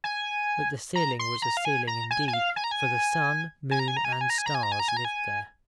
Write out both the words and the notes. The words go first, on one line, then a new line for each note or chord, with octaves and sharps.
But the ceiling was a ceiling indeed; for the sun, moon, and stars lived there.
G#5
A#5
C6
A#5
F5
G#5
A#5
G#5
G#5
F5
G#5
A#5
G#5
G#5
A#5
G#5
A#5
G#5
A#5
G#5
A#5
G#5
A#5
G#5
A#5
G#5
A#5
G#5
A#5
G#5